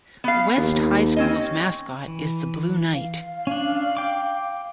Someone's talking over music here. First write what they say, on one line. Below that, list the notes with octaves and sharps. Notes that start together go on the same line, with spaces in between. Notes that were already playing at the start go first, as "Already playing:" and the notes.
West High School's mascot is the Blue Knight.
B3 F5
D#2
C4 C#4 D#5
E3
F5
C#4 D4
G5 D6